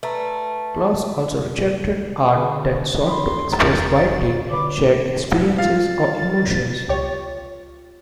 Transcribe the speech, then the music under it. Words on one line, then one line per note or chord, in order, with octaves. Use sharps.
Kloos also rejected art that sought to express widely shared experiences or emotions.
A3 B4 A#5
D3 G#4 B4
D3 G4 B5 C6
E1 D#5 A#5 A6
D3 D4 B4 C#5 D6
F4 F5 A6
C#2 G4 C#5